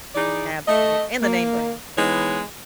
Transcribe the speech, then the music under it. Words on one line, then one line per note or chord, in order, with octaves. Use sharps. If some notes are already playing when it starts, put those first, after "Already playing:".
absolute and the name-brand.
E3 D#4 G#4 D5
A3 D#5
A#3
E3 G#3 B3 D#4 G#4 C#5